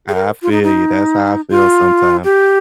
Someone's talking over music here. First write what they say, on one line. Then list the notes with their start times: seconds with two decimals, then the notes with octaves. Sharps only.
I feel you, that's how I feel sometimes.
0.08 G#4
0.14 A#4
0.42 F4
0.52 D#4
0.63 D#4
1.50 F4
2.24 G4